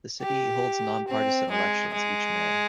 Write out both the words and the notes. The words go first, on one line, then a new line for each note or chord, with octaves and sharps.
The city holds nonpartisan elections each May.
G4
C4
G#3
G#3